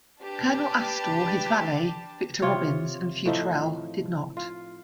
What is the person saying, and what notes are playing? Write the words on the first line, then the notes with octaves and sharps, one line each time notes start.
Colonel Astor, his valet, Victor Robbins, and Futrelle did not.
D4 G4 B4 A5
C3 F4 C#5
A2 F3 D#4 E5
F4